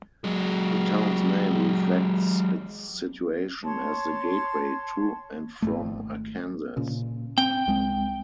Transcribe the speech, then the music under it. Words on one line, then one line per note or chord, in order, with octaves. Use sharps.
The town's name reflects its situation as the "gateway" to and from Arkansas.
F#3 G#3
C#5 A5 C6
G#1 E2 A3
A#2 C#3
C4 G5
C2 G#3 C4